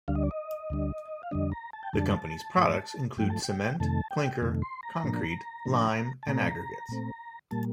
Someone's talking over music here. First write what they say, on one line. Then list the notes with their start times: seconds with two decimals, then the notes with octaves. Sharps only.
The company's products include cement, clinker, concrete, lime, and aggregates.
0.08 D2 D3 G3 D4 F5
0.15 D#5
0.24 D5
0.31 D#5
0.70 D2 D3 G3 D4
1.23 F5
1.31 F2 D3 G3 D4 D#5
1.52 A#5
1.73 A5
1.83 G5
1.93 F2 D3 G3 D4 A5
2.56 G2 F3 A3
3.17 G2 F3 A3 G5
3.30 A5
3.43 G5
3.80 F2 C3 D#3 A3 A5
4.11 G5
4.42 F2 C3 D#3 A3
4.62 C6
4.83 A#5
5.04 A2 F3 A#3 D4
5.65 A2 F3 A#3 D4
6.23 A5
6.27 A#2 A3 C4 A#5
6.89 A#2 A3 C4
7.51 A#2 G3 A#3 A5